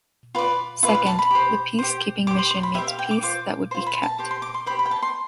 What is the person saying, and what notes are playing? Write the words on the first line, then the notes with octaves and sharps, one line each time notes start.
Second, the peace-keeping mission needs peace that would be kept.
F4 B4 D5
F4 B4 D5 E5
F5
A5
B5
G4 C5
G4 C5
G4 C5 D6
C6
C6
B5
G4 C5 E5
F5
G5
D6
F4 C5 D6
F4 C5 C6
B5
A5
G4 C5 A5
C6
D6
C6
G4 C5 B5
B5
G5
A5
C6